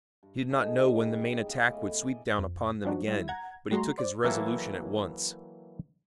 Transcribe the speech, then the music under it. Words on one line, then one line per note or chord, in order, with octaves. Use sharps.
He did not know when the main attack would sweep down upon them again, but he took his resolution at once.
G2
D3 G#3 D#4
C#3 G3
G#3 B3 F5
A2 E4 D5 D#5
G#5
F2
F3 C4 D4 D#4 F#4
G3 E4
F#5 A#5 G#6
G3 A3 F#4 G#4 A#5 C6
C5 D5
E3 F#3 A#3 E4 A4